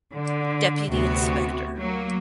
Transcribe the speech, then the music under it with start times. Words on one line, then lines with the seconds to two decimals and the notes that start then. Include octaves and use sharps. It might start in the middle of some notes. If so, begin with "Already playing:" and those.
Deputy Inspector.
0.11 D3
0.90 D2 C3 B3 F#4
1.78 F#3 A#3